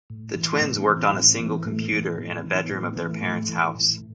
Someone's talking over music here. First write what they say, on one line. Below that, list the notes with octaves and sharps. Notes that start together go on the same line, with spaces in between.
The twins worked on a single computer in a bedroom of their parents' house.
A2
E3
A3
A2 B3
C4
E3
C4
D#4
A2 C4
C4
E3 A3
B3
A2 A3
E3
A2 B3
C4
E3
D#4
B3
A2 C4
B3
E3 B3
A3
A2
E3
A2